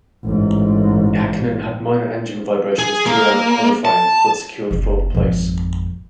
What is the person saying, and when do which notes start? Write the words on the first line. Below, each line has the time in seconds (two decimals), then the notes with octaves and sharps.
Hakkinen had minor engine vibrations throughout qualifying but secured fourth place.
0.24 A1 G#2
2.79 G#4
3.06 A#3
3.85 A5
4.71 F#1
5.15 G#1 F2